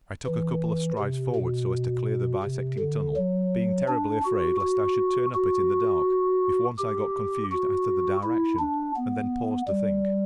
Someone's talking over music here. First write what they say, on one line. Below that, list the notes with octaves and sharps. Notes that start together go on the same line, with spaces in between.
I took a couple of strides forward so as to clear the bisecting tunnel, being terribly afraid lest I should turn up it in the dark if once I got confused as to the direction, and then paused to think.
E3
C3
B2
C3
D3
F#3
D4
F#4
F#4
F#4
G4
F#4
E4
D4
B3
G3